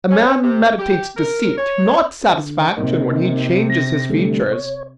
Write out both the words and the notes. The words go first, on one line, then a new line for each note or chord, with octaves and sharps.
A man meditates deceit, not satisfaction, when he changes his features!
C#4
C3
G4
A#4
C#5
D3
C3 A#3 D#4
A#6
D3 G3 A3
C#5